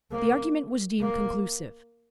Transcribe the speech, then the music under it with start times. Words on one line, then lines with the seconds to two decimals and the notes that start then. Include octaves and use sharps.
The argument was deemed conclusive.
0.11 A#3
1.00 A#3